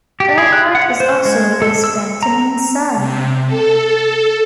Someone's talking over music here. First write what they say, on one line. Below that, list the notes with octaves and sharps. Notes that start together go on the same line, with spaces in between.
Earnhardt is also a best friend to Means' son.
G4
G#4
F#6
F#5
C5
G#3
A4
E6
A#5
C3
A4